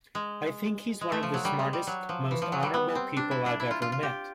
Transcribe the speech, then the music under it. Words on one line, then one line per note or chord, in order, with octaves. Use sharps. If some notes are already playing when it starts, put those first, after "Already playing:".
I think he's one of the smartest, most honorable people I've ever met.
G#3
G#3
A3
F3
F#3
G3
G#3
G3
F#3
F3
E3
F3
F#3
G3
B3
C4
D4
E4
D4
E4
F4
F4
F4
G4